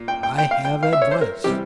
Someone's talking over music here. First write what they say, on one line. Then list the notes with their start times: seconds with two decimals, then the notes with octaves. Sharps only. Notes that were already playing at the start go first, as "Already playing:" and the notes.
I have advice.
Already playing: A#2
0.08 G5
0.23 G5
0.38 G5
0.51 F5
0.65 G5
0.83 F5
0.93 E5
1.02 C#5
1.11 C5
1.21 A#4
1.44 C3 E3 G3 G4